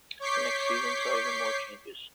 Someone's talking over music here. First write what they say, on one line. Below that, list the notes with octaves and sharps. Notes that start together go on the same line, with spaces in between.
The next season saw even more changes.
C#5 C#6 D6 G6 B6 C7